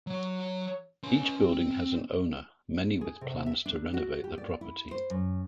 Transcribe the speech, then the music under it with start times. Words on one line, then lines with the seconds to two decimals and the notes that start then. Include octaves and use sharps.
Each building has an owner, many with plans to renovate the property.
0.07 F#3 C#5
1.03 C#4 C6
1.40 C4
3.01 G#4
3.21 C3
3.46 E5
3.66 D4
3.94 F#4
4.24 G4
4.38 D5
4.61 E4
4.91 C5
5.10 F#2